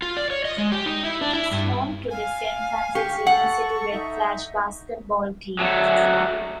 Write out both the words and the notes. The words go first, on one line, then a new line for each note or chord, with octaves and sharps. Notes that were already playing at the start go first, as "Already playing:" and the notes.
It is home to the Saint Francis University Red Flash basketball team.
F4
D5
C#5
D#5
G#3
G4
D#4
E4
D4
E4
G2
F5 G#5
G4 C#6
A4 F#5
D#4 E5
F#3 A3